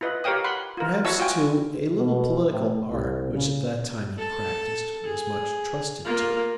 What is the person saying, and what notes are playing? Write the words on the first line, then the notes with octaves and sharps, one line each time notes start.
Perhaps, too, a little political art, which at that time he practised, was much trusted to.
E4 F4 B4 D#5
G4 A#4 C#5 F5 G5 D#6
F#5 B5 C6
F4 A#4
E4 F#4 C#5 E5 A5 E6
F4 F#4 G5 G#5
B2
A2
C2
C#3
A4 A5
G#4
A#3 F4